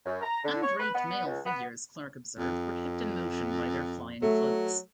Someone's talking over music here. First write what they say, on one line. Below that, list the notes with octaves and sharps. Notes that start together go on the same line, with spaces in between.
Undraped male figures, Clark observed, were kept in motion by their flying cloaks.
F#2
A#5
D3
C#5
B4
B3
C#2
B3
F2
F#3 A3